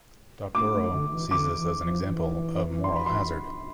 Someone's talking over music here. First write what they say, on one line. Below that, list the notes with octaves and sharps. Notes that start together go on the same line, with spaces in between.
Doctorow sees this as an example of moral hazard.
A3 D6
A3
D3
E3
D3 D6
E3
F3
E3
C6
B5
C6